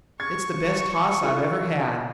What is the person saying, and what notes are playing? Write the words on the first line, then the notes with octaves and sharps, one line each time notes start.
It's the best hoss I've ever had.'
C#6 G#6
E4 F4 A4